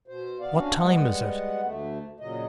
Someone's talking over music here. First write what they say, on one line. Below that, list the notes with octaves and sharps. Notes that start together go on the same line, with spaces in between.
"What time is it?"
B2 C5
B3 D5 F5
C#4 D4 F#4 F5
G3 G#3 B3 F#5
D2 A3
A#2 C#3 F#3 D#5